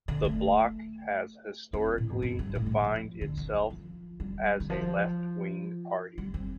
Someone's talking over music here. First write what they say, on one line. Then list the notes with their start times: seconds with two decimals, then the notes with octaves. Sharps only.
The Bloc has historically defined itself as a left-wing party.
0.08 D3
0.25 A3
1.73 C4
1.98 A2
2.10 F2
2.22 G2
2.39 G2
2.55 A2
2.66 G3
2.72 F3
3.21 D3
3.38 D3
3.54 D3
3.70 F3
4.20 G3
4.60 D3
4.70 F3
6.18 G3
6.34 C4